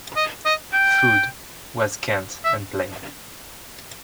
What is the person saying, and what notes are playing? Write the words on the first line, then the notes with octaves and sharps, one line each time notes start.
Food was scant and plain.
D#5
D#5
G5
E5